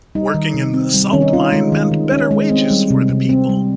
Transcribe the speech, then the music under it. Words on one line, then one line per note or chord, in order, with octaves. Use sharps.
Working in the salt-mine meant better wages for the people.
G3 D#4
D#3
C3
C4
G3
D#3 C#4
D#4
C#4 F4
G#3
D#3
D#3
C#4
G#3
C4
G3
C3
C3
C4
G3